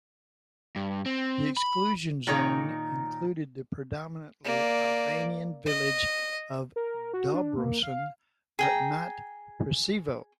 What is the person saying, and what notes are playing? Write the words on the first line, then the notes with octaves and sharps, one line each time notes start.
The exclusion zone included the predominantly Albanian village of Dobrosin, but not Preševo.
G2
C4
B5
A#2 D#3 D#4 C#5 A#5
A#3 D5
D#5
A#4
F#4
D4
A#3
F5
G#4 G5 A#5